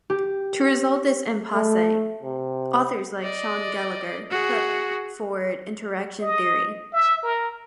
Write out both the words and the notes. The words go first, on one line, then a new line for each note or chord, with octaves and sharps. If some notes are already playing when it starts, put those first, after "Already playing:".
To resolve this impasse, authors like Shaun Gallagher put forward interaction theory.
G4
A3
C3
D5 D#5
F#4 G#4
D#5
E5
A#4